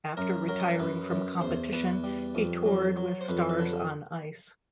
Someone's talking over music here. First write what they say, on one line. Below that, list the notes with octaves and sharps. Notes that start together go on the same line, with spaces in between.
After retiring from competition, he toured with Stars on Ice.
F#2 A#4
F#3 A#4
F#2 B4
F#2
E2 C5
E2 B4
G3
F2
F#3
F#3
C5
F2 B4
B4
D3